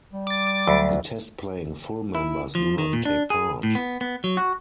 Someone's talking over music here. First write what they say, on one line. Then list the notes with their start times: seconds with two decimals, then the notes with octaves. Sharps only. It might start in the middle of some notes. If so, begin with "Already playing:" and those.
The test-playing Full members do not take part.
0.13 G3
0.27 D6 A6
0.67 D2 F#3 B5
2.15 E4
2.55 F3
2.78 D#3
2.93 A#2
3.05 D4
3.30 G#4
3.63 A2
3.75 B3
4.01 B3
4.24 F#3
4.37 F#4